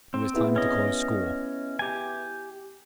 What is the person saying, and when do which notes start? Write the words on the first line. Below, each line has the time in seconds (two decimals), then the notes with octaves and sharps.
It was time to close school.
0.14 C4
0.34 B3 E4 G#4
0.56 C#4 D#5
1.79 G4 G#5